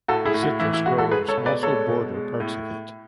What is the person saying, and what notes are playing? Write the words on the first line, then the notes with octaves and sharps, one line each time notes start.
Citrus groves also border parts of it.
A2 F#4 A4
E4 G#4
A2
F#4
E3 E4
E4
G#3 F#4
F#4 A4
G#3 G#4 B4
A4 C#5
B2
B4 D5
G#3 A4 C#5
B2
G#3
A2